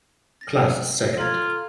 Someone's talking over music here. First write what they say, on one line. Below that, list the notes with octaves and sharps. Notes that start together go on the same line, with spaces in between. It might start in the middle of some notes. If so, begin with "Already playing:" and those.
Class Second.
A6 A#6
F4 A4 A#5 G#6